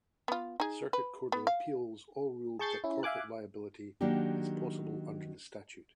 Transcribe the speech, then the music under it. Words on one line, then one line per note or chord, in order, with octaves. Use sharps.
Circuit Court of Appeals all ruled that corporate liability is possible under the statute.
B3 F4
D#4 G#4
B4
B3
F5
G#4 A5 C#6 G6 A6 C7
C#4 E4
E5 F5 G#5 D6 F#6
D#3 F#3 A#3 D4 G4